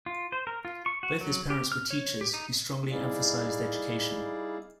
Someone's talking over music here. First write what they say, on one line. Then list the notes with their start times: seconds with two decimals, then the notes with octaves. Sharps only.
Both his parents were teachers; who strongly emphasised education.
0.06 F4
0.32 C5
0.47 A#4
0.65 F4
0.86 C#6
1.03 F#4
1.21 F#3
1.50 G4
1.72 F6
1.91 C#5
2.21 G4
2.34 D#4
2.91 G3 D#4 E4 G#4 D5 F5